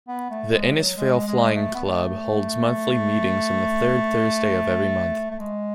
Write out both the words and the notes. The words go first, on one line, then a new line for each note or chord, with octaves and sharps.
The Innisfail Flying Club holds monthly meetings on the third Thursday of every month.
B3
A3
G#3
F#3
G#3
G#3
A3
B3
A3
A3
G#3